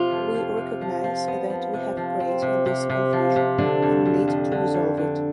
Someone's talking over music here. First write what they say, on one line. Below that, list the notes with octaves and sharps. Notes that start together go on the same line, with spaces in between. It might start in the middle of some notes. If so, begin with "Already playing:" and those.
We recognize that we have created this confusion and need to resolve it.
Already playing: C3 F4
F2
F2
C3
F3
F3
B3
F3
C3
F3
C4
C3
C3
C3
F3
C3
D3 D4
F2
F2
F2
D3
F2
D3